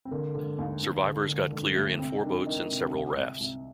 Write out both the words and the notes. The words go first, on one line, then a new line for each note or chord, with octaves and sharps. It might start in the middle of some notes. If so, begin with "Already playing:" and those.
Survivors got clear in four boats and several rafts.
C4
D3 A#3
D3
D#2
D#2
D3
D3
D3
D2
C3 C4
C4
D#3 D4
D#3 D#4
C3
C2
C2
C2